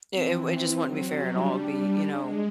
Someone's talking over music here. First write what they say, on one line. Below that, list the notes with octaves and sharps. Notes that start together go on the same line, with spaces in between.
It it w it just wouldn't be fair at all. It'd be, you know,
E3 C4
F#3
G3
D#4
D4
G3
G#3